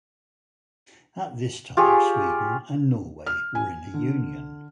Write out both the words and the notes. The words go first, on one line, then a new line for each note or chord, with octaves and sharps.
At this time, Sweden and Norway were in a union.
F4 G4 G#4 C#5
F6
G#5
D3